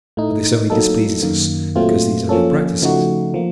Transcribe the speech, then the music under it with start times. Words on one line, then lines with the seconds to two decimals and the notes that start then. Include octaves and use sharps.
But this only displeases us because these are new practices.
0.17 A2 A3 D#4
0.70 F#3 A#3 D#4 A4
1.23 F#2 D#3 A#3
1.76 A#2 F#3 A3 C4 F4
2.29 F3 A#3 C#4 A4
2.82 C#3 F3 A3 D#4 F#4
3.34 F3 A#3